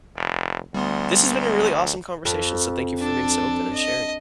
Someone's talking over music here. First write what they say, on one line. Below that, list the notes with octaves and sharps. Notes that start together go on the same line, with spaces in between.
this has been a really awesome conversation, so thank you for being so open and sharing.
F1
D2 G3 B3 C6
F2
D4 A4
D#5